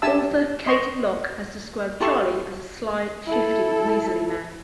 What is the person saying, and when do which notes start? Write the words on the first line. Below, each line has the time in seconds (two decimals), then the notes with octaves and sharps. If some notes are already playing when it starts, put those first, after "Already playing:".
Author Kate Lock has described Charlie as a "sly, shifty, weaselly man".
0.02 D4 G4 E5 G#5 A5 E6
0.66 D#5 C6 C#6
2.00 E4 G4 A4 A5 C6 C#6
3.27 E4 A4